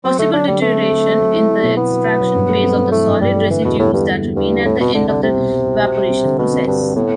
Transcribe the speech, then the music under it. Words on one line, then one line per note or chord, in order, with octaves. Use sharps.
Possible deterioration in the extraction phase of the solid residues that remain at the end of the evaporation process.
F#3 C4
D3 A3
F#3 D4
D3 G3
A3 C4
C4
F#3
C4
F#3
E4
E4
B2
B3 E4
F#3
F#3
F#3
G2
A3
C4
C4
E3 A3
G2
G2 G3
A3
D3 E3
E2 B2
A2 B3
G2 G3
G3
B3
E2 G2
G3
A2 C4
B2 C4
C2 D3
D3 G3
C3 C4
B2
G3
C2
F#4
G3
C4
D3
B2 F#4
C4
G2 F#4
G3
A2 B3